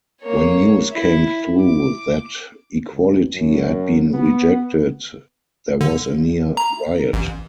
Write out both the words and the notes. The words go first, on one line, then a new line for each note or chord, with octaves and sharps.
When news came through that equality had been rejected there was a near riot.
A#3 C#5
E4
D6
C#2
F#2
B3
D3
A#5
A1